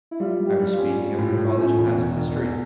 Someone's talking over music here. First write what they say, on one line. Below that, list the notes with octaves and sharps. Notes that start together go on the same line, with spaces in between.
I was speaking of your father's past history.
E4
G3 F4
G3
G4
G3
F4
C#4
G3
A2
A2
C#4
E1
E1
E1
E2